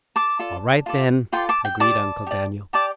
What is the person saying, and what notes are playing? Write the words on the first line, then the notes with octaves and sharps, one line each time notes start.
"All right, then," agreed Uncle Daniel.
A5 D6
F4 A4 D5
F4 A4 D5
F4 A4 D5 G5 C6
A5 D6
G5
G4 D5 A5 D6
G4 D5
G4 D5 A5 D6